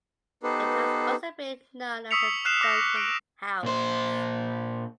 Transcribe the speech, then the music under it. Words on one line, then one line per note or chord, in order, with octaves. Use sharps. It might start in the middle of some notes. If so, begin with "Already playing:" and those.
It has also been known as the Dugan House.
B3 D#4 G4 A4 B4 C5
C#6 D#6 E6 B6 C#7 F7
F6 F#6 C7 E7
D6 E6 A#6
F#6 D7
A#2 C5